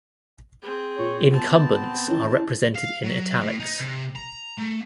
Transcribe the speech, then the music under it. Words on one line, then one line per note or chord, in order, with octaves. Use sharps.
Incumbents are represented in "italics".
C4 G#4
A#2 C#5
B3 C4 A5
D#3 E3 C#4
F5
F#3
A2
D#4
C3
A#5
A3